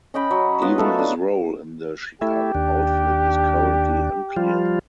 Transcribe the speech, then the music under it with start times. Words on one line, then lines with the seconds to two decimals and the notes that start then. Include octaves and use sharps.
Even his role in the Chicago Outfit is currently unclear.
0.14 C#4 D#5 G5 B5
0.31 F#3
0.62 B3 F4 B4 D#5
0.78 F#3 A3 A4
0.99 D4
2.21 A3 E4 G4
2.55 D#2 D4
4.36 F3 G3 F4